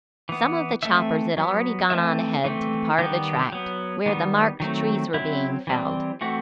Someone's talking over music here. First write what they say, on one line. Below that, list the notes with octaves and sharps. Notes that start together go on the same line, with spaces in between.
Some of the choppers had already gone on ahead to the part of the tract where the marked trees were being felled.
E3 B3
E3 A3 C4 E5
F#3 B3
E3 A3 C4 E5
E3 A3 C4
D#3 G3 B3 G4
F#3 B3
D#3 G3 B3
D#3 F#3 A3 C4
F#3 C4 E4
E3 G3 C4
E3 A3 C4 F#4